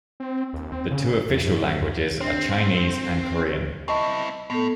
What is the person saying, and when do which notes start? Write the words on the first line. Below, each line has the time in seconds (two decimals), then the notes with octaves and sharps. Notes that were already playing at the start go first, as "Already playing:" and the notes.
The two official languages are Chinese and Korean.
0.20 C4
0.53 D#2
0.72 C4
0.91 C#3
1.29 E2
1.45 F#2
2.21 C4 D4
3.88 C4 E4 D#5 A5 C#6
4.50 A2 B3 A4